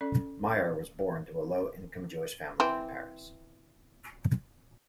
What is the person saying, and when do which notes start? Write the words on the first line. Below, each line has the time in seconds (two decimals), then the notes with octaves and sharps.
Meyer was born to a low income Jewish family in Paris.
0.01 C#4 A4 D5
2.60 E3 C4